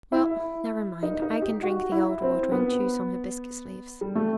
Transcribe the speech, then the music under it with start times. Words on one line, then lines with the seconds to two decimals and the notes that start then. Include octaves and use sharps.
"Well, never mind, I can drink the old water and chew some hibiscus leaves."
0.12 E4
1.03 D#4
1.22 D#4
1.42 G4
1.63 F#4
1.92 E4
2.22 C4
2.52 B3
4.01 G3
4.15 A3